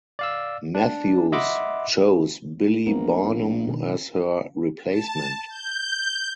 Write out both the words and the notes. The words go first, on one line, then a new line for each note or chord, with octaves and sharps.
Matthews chose Billie Barnum as her replacement.
D5 F5 E6
D4
D#5 E5 F#5 B5 C6 D6
A#1 B3 C4 A#4
B2 D#3 D4
A5
G6